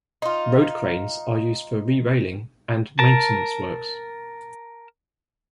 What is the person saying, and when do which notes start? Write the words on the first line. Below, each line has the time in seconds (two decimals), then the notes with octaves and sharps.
Road cranes are used for re-railing and maintenance works.
0.22 D#4 F4
2.99 A#4 A5